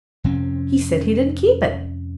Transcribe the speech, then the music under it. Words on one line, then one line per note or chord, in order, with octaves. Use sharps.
He said he didn't keep it.
F2 C3 C4 C#4